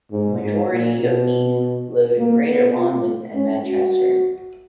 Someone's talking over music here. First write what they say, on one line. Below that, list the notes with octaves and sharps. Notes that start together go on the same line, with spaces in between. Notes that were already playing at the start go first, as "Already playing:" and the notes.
The majority of these live in Greater London and Manchester.
G#2
G#2
A#2
B2
A#3
B3
F4
C#4
F#4